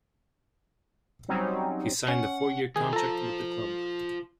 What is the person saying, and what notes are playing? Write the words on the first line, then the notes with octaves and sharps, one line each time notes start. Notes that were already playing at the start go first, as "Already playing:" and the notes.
He signed a four-year contract with the club.
F#3 G3 C4 C#4 D#4
C#4 F#5
D#3 G#4
F4 A4 C5 A#5